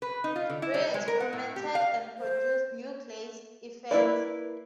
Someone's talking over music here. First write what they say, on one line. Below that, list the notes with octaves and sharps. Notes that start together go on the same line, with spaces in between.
Rie experimented and produced new glaze effects.
B4
D#4
F4
D3
E4
G3
G#3
A#4
F#5
A2
G4
F5
C5
A#3 E4 B4 D5